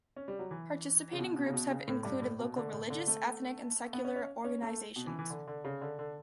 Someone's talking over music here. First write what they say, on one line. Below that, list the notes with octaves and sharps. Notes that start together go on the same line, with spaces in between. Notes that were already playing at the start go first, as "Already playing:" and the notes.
Participating groups have included local religious, ethnic, and secular organizations.
C#4
G3
F#3
E3
C#3
B2
B2
C#3
B2
C#3
A2
G2
A2
B2
D3
A2
D3
A3
B3
C#4
C#4
C#4
A3
B2
E3
E3
D3
D3
C#3
D3
D3